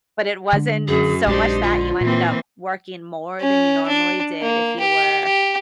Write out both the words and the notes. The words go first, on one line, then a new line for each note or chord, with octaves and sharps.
but it wasn't so much that, you ended up working more than you normally did if you were
D3 G#3 D4
F#2 F#3 G#4
A#1 G#3 D4 D#4 G4 C5
D3 F4
A#2 E3 A#3 C4
C#4
D4
A#3
G4
G4